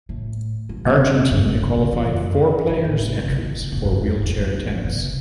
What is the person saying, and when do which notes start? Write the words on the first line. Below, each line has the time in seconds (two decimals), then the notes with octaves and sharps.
Argentina qualified four players entries for wheelchair tennis.
0.09 A2
0.69 G2
0.85 F#2
1.01 F#2
1.16 F#2
1.31 G2
1.46 B2
1.61 C3
1.77 D3
1.92 E3
2.13 F#2
2.54 F#2
2.69 F#2
2.85 A2
3.00 B2
3.16 C3
3.30 D3
3.45 D3
3.62 C3
3.72 C3
3.77 B2
3.85 G2
3.91 F#2
4.07 E2
4.23 E2
4.37 F#2
4.53 E2
4.68 F#2
4.84 B2
5.00 C3